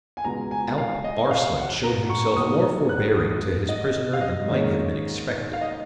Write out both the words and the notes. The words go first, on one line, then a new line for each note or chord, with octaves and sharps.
Alp Arslan showed himself more forbearing to his prisoner than might have been expected.
G#5
C#2 B2 G#3 A#5
G#5
F5
D#5
F5
F#5
A#5
C#6
C#6
B1 B2 A#3 D#6
F#6
D#6
D#5
F5
D#5
G#2 D#3 A#3 C#4 G#4
F5
D#5